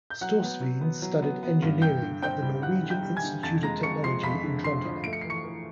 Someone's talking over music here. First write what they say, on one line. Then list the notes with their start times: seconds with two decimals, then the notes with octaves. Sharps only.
Storsveen studied engineering at the Norwegian Institute of Technology in Trondheim.
0.10 G6
0.21 F#3 F#5 F#6
0.42 B3
0.61 F#3
0.81 B3
1.02 F#3
1.22 B3
1.43 B3
1.62 G2
1.82 G2 G5 G6
2.02 D3
2.22 C4 G5 G6
2.42 G3
2.62 D3 F#5 F#6
2.83 D3
2.90 G5 G6
3.03 G3
3.16 G#5 G#6
3.24 D3
3.43 F2 A5 A6
3.63 G#3 A#5 A#6
3.83 F2 C#6 C#7
4.04 F3 C6 C7
4.23 F2 B5 B6
4.44 D3
4.64 D3 C6 C7
4.84 F3
5.04 A3 D7
5.13 C#7
5.21 E3 C7
5.30 C#6 C#7
5.44 E3